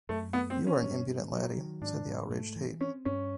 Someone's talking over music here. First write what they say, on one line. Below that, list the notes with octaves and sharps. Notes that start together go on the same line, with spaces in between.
"You're an impudent laddie," said the outraged Haight.
F#2 A3
A3 B3
C4
E3
C#4
G2
G2
F#3
D#3
G#2 D4
G#2
A3
E3
C4 C#4
G2 C#4